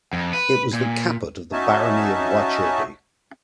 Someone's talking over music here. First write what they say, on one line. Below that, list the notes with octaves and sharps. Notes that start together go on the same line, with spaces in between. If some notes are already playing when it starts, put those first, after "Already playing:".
It was the caput of the Barony of Wauchope.
F2
B4
A#2
C#4 D#4 F#4 E5 G#5 A5